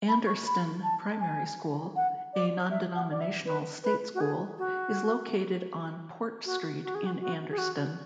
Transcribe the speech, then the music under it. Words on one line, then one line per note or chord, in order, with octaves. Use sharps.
Anderston Primary School, a non-denominational state school, is located on Port Street in Anderston.
B5
C#6
B5
A5
G#5
F#5
D5
E5
F#5
D5
E5
B4
B4
F#4
G#4
F#4
F#4
F#4
G#4
F#4
F#4
G#4
F#4